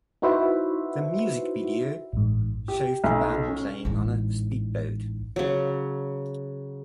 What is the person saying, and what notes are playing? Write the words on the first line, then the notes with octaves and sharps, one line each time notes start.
The music video shows the band playing on a speedboat.
D#4 E4 F#4 B4 C5 E5
A1 G#2
G4
B1
C#4
A1 G#2
C#3 F#3